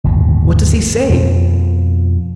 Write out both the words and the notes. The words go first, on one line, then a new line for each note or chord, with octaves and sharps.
What does he say?
G1 D#2 A2 C3
F2 B2 F3